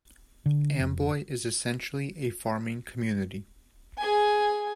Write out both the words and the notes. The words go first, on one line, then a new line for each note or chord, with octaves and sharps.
Amboy is essentially a farming community.
D3
F1
G#4 G#5